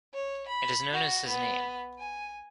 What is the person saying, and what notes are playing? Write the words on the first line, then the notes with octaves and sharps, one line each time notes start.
It is known as his name.
C#5
B5
F#4
B3
G#5